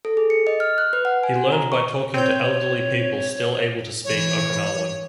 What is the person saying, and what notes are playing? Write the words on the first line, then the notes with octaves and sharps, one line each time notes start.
He learned by talking to elderly people still able to speak Okinawan.
A4
G#4
C#7
D#5
F6
F#6
B4
F#5
G#5
F#4
A#5
C#6
C4 C#5 G6
E3 C#5